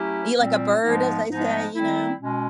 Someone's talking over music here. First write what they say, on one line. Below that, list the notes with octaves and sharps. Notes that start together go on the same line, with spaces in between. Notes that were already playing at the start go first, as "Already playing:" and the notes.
Eat like a bird, as they say, you know?
Already playing: F#3 A3 C#4 E4 G4
A#2 G3 C4
G#2 F3 G#3 B3 D#4
G#2 F3 G#3 B3 D#4
D#3 G3 C4 E4
B2 G#3 C#4